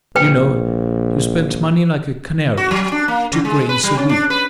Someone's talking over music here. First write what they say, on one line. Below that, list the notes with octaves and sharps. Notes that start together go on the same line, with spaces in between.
You know, you spend money like a canary, two grains a week.
A#1 B4 G5
F#4
F#3
D4
A#3
C#3
G#3
B4
G3
C#4
D4
B4